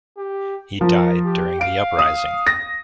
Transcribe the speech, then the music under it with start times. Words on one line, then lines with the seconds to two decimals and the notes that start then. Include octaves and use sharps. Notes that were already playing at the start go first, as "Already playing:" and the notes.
He died during the uprising.
0.17 G4
0.81 F3 A#4
1.25 G4
1.61 F5 D7
1.99 D#6
2.47 A#6